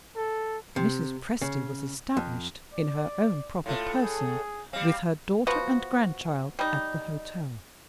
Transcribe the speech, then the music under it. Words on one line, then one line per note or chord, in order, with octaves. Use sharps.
Mrs. Presty was established, in her own proper person, with her daughter and grandchild at the hotel.
A4
C3
C#3
F2
D5
A2 A3 F4
G#4
G3 C4 F5
F3 B3 F#4
G3 D#4